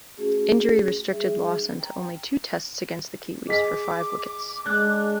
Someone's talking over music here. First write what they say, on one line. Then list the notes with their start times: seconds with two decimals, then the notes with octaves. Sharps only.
Injury restricted Lawson to only two Tests against the Kiwis, for five wickets.
0.17 A3 C#4 F#4 G#4
1.10 G3 D4 G#4 E5
1.80 G5 A#5
3.48 G#4 D#5 D6 B6
4.66 G#3 D4 F#6